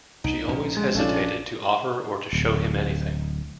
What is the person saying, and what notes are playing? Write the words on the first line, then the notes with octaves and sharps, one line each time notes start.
She always hesitated to offer or to show him anything.
C2 D#4
A#1 A#2 C#4
G#3
A#1 C#4 D4 F4 A4
D1